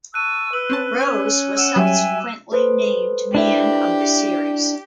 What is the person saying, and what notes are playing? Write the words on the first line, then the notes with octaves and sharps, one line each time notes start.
Rose was subsequently named Man-of-the-Series.
A5 C#6 E6 F#6 D#7
B4 E6 F#7
C4 C#4 A5
C#4 G#6
F#5 E6 E7
F#3 G3 E5 G5 G#5
A4 B4 C5
D4 E4 G4 E5